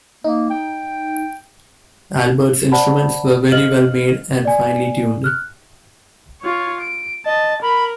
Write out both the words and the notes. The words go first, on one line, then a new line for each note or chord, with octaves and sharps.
Albert's instruments were very well made, and finely tuned.
A#3 D#4
G5
C5 D5 F#5 A5 B5
C5 D#5 F5 F6 F#7
D5 G#5
F6 F#6
F4 C#5
D7
D#5 A5
A#4 B5